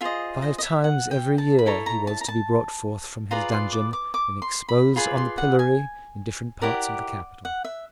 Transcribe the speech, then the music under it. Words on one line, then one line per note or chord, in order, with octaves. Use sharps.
Five times every year he was to be brought forth from his dungeon and exposed on the pillory in different parts of the capital.
F4 G#4 C5 D#5 E5
D#5
D#5
E5
F#5
G5
A5
B5
E4 A4 C#5 A#5
A#5
A5
A#5
A5
F4 G#4 B4 D5 A#5
C6
D6
D6
D6
C6
B5
F4 G#4 B4 D5 B5
C6
F#5
G#5
E4 G4 A#4 D5 F#5
F#5
E5